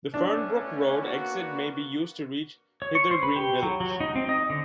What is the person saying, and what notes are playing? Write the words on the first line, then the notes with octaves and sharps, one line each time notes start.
The Fernbrook Road exit may be used to reach Hither Green village.
A3 B3 C#4 D4
A#3 B3 F#4
C#5
C#6
C5
B4
G4
F#3
F#3
D#4
C4
D#5
D3